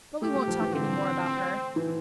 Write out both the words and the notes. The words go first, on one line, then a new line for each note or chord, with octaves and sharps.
But we won't talk any more about her.
A3 G4
G3
F3
E3
D3 C4
E3